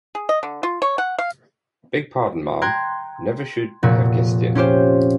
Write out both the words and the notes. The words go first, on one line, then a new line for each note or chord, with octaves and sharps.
Beg pardon, ma'am; never should have guessed it.
G#4
D#5
D3
F4
C#5
F#5
F5
G5 A#5 C6 F#6 G#6
F1 A#2 F#4
C#4 F4 G4 C5